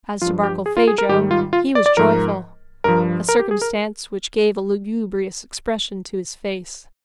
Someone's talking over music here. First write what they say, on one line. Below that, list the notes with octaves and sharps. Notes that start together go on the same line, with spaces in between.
As to Barkilphedro, he was joyful--a circumstance which gave a lugubrious expression to his face.
G2 F3 F4
G4
G#4
F4
G#4
A#4
G#2 D#3 G3 G4
F4
F4
D5
D5
G#2 F3 A#4
G2 F3 A#4
A#4
G4
G#4
A#4